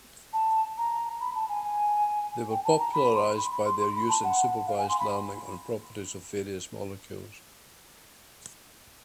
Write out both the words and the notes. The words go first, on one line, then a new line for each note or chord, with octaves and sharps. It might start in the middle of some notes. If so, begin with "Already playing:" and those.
They were popularized by their use in supervised learning on properties of various molecules.
A5
A#5
B5
A5
G#5
G5
A5
A#5
B5
C6
B5
B5
C6
C6
B5
A5
F#5
F5
G#5
C6
B5